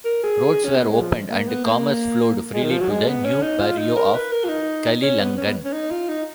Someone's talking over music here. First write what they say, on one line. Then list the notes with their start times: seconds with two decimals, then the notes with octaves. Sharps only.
Roads were opened and commerce flowed freely to the new barrio of Kalilangan.
0.05 A#4
0.23 G#4
0.65 C#4
0.76 B3
0.88 G#3
1.01 F3
1.30 A#3
1.48 B3
1.65 A#3
2.54 G#3
2.63 D#3
2.71 F3
2.80 F#3
2.90 G#3
3.08 B3
3.25 C#4
3.42 D#4
3.60 F4
3.78 D#4
3.96 A#4
4.14 B4
4.32 A#4
4.44 F4
4.49 D#4
5.02 C#4
5.20 B3
5.37 C#4
5.46 B3
5.65 C#4
5.73 D#4
5.91 F4
6.09 D#4